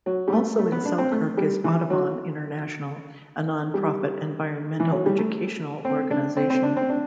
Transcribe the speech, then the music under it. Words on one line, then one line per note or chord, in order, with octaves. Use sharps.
Also in Selkirk is Audubon International, a non-profit environmental educational organization.
F#3
G3
A3
A3
B3
D4
C4
A3
G3
E3
F#3
G3
E3
F#3
G3
A3
C4
D4
C4
C4
D4
C4
D4